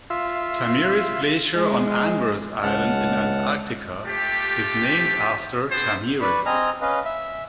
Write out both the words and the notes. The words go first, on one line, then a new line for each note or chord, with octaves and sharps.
Thamyris Glacier on Anvers Island in Antarctica is named after Thamyris.
F4 E5
G#3
C#2 F#5 A5 F6
A3 F4 G4
B3 D4 G#4 C5
B4 D5 B5 C#6
C4 D#5 G#5 A#5 F6
C#4 B4 D#5 F5
E5